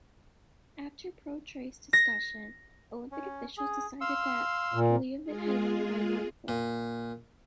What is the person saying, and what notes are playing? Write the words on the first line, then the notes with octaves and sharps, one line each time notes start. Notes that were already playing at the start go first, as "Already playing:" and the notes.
After protracted discussion, Olympic officials decided that Leavitt had won by one foot.
A#6
C#4
G#4
F5 C6 E6
A#2
G#3 F4 G#4
A#2